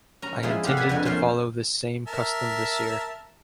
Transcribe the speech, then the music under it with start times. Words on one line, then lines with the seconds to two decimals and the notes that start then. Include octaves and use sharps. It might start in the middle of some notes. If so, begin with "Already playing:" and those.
I intended to follow this same custom this year.
0.22 C#4 A#5
0.43 F3 G#3 E4 G#4
0.64 C4 G4 A4 F5 F#5
0.77 B4 D5 F#5 G#5 B5
0.89 F2 B2 D3 C#5 G#5
1.05 F3 A#3 C#4 C5
2.08 A#4 E5 A5